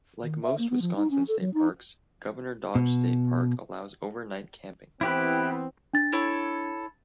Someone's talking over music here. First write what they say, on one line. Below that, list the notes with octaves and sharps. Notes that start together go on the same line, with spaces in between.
Like most Wisconsin State Parks, Governor Dodge State park allows overnight camping.
D#3
E5
A#3
B3
F3
D#4
C#4
A4
F#3
D#4
B2
E3 B3 C4 E4 G4 B4
D4 A6
E4 A4 C#5